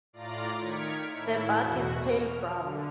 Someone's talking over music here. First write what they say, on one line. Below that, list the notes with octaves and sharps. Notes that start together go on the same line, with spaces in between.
The bark is pale brown.
A2 F4 D5 A#5
D#3 F6 G#6 B6 C#7 D7
A2 E4
E2 B2 F#4
F6
D3